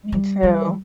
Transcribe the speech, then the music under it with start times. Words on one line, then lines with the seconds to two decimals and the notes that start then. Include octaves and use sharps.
Me too.
0.12 G3
0.43 G3